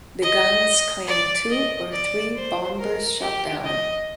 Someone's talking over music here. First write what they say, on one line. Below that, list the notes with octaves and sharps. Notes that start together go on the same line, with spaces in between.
The guns claimed two or three bombers shot down.
D#5
D5
D#5
D5
C5
A#4
G4
D#5